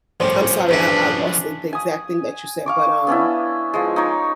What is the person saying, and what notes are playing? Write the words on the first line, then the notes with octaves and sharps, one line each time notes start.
I'm sorry, I I lost the the exact thing that you said, but, um,
C2 A2 F3 G3 C#4 C5
E2 G2 D4 E4 B4
G#5 D#6
F5 C#6 D6
B3 C#4 D4 E4
F3 G#3
D#4 A#4 C#5